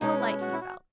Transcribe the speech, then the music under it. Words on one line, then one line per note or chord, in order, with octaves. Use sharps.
How light he felt!
B2 G#3 C#4 D#4
E4
F#4
E4
F#4